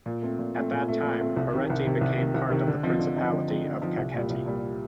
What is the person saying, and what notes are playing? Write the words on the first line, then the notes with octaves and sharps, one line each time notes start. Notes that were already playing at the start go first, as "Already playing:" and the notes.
At that time, Hereti became part of the principality of Kakheti.
A#2
A3 C4
A#2
A3 C4
A#2
A3 C4
A#2
A3 C4
C2
C3 D#3
C2
C3 D#3
C2
C3 D#3
C2
C3 D#3
D3
F3 C4 D#4
D3
F3 C4 D#4
D3
F3 C4 D#4
D3
F3 C4 D#4
C2
A#2 G3
C2
A#2 G3